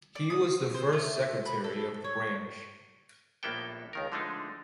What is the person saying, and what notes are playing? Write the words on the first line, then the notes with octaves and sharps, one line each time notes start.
He was the first Secretary of the branch.
D5
D#6
C5
A3
B5
A4
C#5
A#1 A2 A#3 B3 A4 G5
C#2 D#3 A#4
D3 F3 G#3 A3 D4 D#4